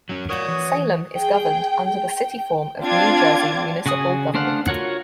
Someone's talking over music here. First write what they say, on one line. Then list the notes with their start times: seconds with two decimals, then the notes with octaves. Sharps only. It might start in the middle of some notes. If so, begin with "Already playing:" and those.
Salem is governed under the City form of New Jersey municipal government.
0.09 F#3 C#4
0.29 F#4 A#4 C#5 D5 D#6
0.48 E3
1.15 G#4 G5
1.87 G5
2.82 C4 D4 F4 D6 G#6
3.86 C#3 F#4 G#5 D#6
4.34 A3 D4 C5 F5 F#5
4.68 F4 F#4 A#4 C#5 F#5